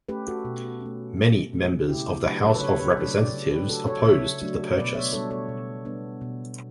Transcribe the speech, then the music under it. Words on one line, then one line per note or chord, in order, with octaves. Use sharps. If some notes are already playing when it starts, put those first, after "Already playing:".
Many members of the House of Representatives opposed the purchase.
A3 C#4 G4 B4
F#4 A4
B2
A3 C#4
B2
A3 C#4
C#3 E4 G4
F#3 A3 D4 G4 B4
A4 C#5
B4
C#3 A4 C#5
G4 B4
F#3 A3 D4 A4 C#5
B4 D5
C#3
G4 B4
F#3 A3 D4 F#4 A4
A4 C#5
C#3 C#5 E5
F#3 A3 D4
B2 B4 D5
C#5 E5
G3 B3 D4 A4 C#5
A4 C#5
B2
G3 B3 D4
B2